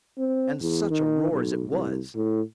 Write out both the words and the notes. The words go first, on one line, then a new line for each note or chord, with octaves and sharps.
And such a roar as it was!
C4
E2
D#3
B1
C2
A2